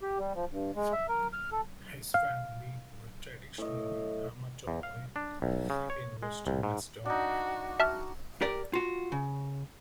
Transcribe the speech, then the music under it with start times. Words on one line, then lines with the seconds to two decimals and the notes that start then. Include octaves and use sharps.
His family were traditionally Armatoloi in Western Macedonia.
0.02 G4
0.19 G3
0.35 F3
0.51 G2
0.76 G#3
0.93 E5
1.08 A#4
1.33 F6
1.52 A4
2.14 F5
3.58 A2 D#5
4.68 E2
4.83 F5
5.16 D4
5.42 B1
5.70 C#3
5.90 C#5
6.23 G#3
6.47 C2
6.63 G#2
7.06 D4 D#4 F#4
7.80 F#4 E5 A5 F6
8.41 G4 A#4 D5
8.73 F4 F#4
9.12 C#3